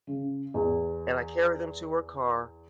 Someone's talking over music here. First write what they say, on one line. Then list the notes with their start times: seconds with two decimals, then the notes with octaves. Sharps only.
and I carried them to her car
0.07 C#3
0.54 E2